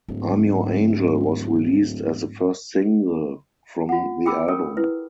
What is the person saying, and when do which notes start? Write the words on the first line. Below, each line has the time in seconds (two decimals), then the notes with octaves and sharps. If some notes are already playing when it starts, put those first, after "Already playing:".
"I'm Your Angel" was released as the first single from the album.
0.08 D1 G#2
3.89 F4 F#5
4.26 G#4 G5 B5 D6 E6
4.48 A4 A#4 C#5 G5
4.77 E4 B4